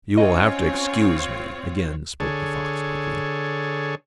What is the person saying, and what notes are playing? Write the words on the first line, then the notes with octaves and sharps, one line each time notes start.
"You will have to excuse me," again spoke the fox quickly.
C4 C#4 F4 C#5 D#5
D3 G#4 A4 C#5